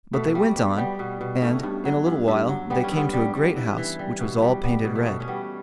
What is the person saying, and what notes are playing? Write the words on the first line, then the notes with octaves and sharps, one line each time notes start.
But they went on, and in a little while they came to a great house which was all painted red.
B2 A3
G3
G3
G3 B3
B2
B2
G2 A3 C#4
G2
F#3
G2
G2
F#3
G3 B3
C#4
G2
B3
G3
G3
E3
E3
G3
B2
G3
G3 B3
B2
A3
B2
C#4
G3 B3